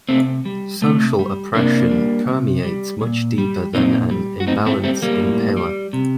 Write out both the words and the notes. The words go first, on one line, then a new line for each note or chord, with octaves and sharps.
Social oppression permeates much deeper than an imbalance in power.
C3 A3 C4
G3
C3 A3
G3
C3 A#3 D4
G3
C3
G3
A#2
G3
A#2 C4 D#4
G3
F#4
A2 C4 D#4
A3 C4
G3 A3 C4
G3 A#3
A2
G3
C3